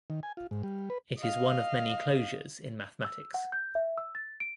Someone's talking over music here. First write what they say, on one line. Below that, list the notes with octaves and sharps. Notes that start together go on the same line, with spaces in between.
It is one of many closures in mathematics.
D#3
G#5
F4
G#2
G3
B4
D#5 F5
E6
F#5
G6
E5
E6
A6
D7